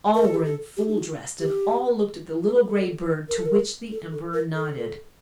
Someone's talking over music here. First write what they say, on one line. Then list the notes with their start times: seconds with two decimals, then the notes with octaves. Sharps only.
All were in full dress, and all looked at the little gray bird, to which the Emperor nodded.
0.14 A#4
0.25 A4
0.34 G4
0.44 A4
0.77 G4
0.88 D#4
0.98 F#4
1.40 G4
2.66 A4
3.29 A#4
3.37 A4
3.46 A#4
3.92 A4
4.12 A4
4.33 A#4
4.55 A4